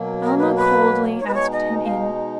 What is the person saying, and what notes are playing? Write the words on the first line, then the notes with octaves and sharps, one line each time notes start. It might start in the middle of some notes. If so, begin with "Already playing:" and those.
Alma coldly asked him in.
Already playing: B2 F#3 A#3
A#4
B4
B4
B2 G#3 D#4 C#5
B4
C#5
D#5
F5